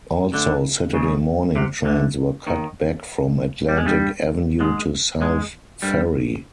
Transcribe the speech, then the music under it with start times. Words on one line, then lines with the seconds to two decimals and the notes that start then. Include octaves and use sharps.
Also, Saturday morning trains were cut back from Atlantic Avenue to South Ferry.
0.33 D2 D3
0.94 C#2 C#3
1.55 C2 C3
1.85 D2 D3
2.47 D#2 D#3
3.69 G3
3.78 G#3
3.85 G2 G3
4.60 G#2 G#3
5.21 G#2 G#3
5.82 G2 G3